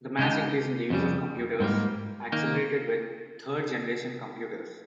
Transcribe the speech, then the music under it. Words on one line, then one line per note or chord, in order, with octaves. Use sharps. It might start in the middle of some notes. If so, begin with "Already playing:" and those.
The mass increase in the use of computers accelerated with 'Third Generation' computers.
C#3 G#3 D#4 G4
F2 C#3 G3
G#2 G3 A#3
D#3 A#3 D#4